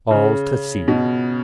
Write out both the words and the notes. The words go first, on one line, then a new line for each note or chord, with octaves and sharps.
All to see.
C#3
B2